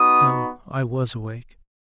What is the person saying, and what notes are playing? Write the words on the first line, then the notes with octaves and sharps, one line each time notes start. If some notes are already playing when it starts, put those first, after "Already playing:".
"No--I was awake."
Already playing: B3 D#4 F#4 D#6